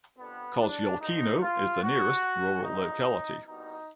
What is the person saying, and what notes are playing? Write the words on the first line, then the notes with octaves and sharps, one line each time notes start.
Kozyolkino is the nearest rural locality.
F2 D3 G3 B3
D4
D#2 D3 F3 D#4
F4
A#1 A#2 F#3 F#4
A1 G2 D3 F#3 D#4
C2 B2 G3 D#4